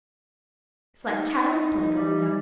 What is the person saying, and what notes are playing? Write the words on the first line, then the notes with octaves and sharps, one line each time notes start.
It's like child's play going up.
D#4
G3